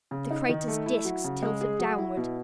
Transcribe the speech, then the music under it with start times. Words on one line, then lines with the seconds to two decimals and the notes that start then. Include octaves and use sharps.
The crater's disks tilted downward.
0.11 C#3
0.31 D#4
0.49 D#3
0.68 A3
0.86 E4
1.05 F#3
1.24 C#3
1.43 G#3
1.61 G#4
1.79 F#3
1.98 E4
2.17 B2